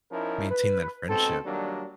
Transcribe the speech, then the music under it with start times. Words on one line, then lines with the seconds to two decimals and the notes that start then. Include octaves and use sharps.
maintain that friendship.
0.12 F3 C#4 D#4 E4 A#4
0.51 B4
1.09 G#2 B2 C4 A4
1.45 D#3 F#3 G3 A#3 D4